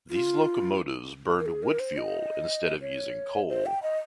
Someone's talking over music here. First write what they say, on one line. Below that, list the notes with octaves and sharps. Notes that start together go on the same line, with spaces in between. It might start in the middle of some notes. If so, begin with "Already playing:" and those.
These locomotives burned wood fuel instead of using coal.
F4
A#4
G#4
A#4
C5
D#5
C#5
C5
G5
D#5